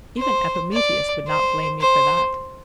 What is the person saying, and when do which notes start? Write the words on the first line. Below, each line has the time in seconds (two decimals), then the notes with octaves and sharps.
Even Epimetheus would not blame me for that.
0.18 C5
0.72 D5
1.27 C5
1.81 C5